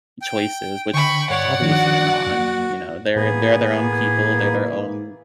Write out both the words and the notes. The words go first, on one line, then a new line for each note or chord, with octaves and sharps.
choices," which obviously, you're not, you know? They're they're their own people, they're their own
G5
D3 G5 B5 C#6
G2 C#5 D5 F#5
D#3 F3 D4 F#4
F#2 A#3
A2 E3 A#3 B3 G#4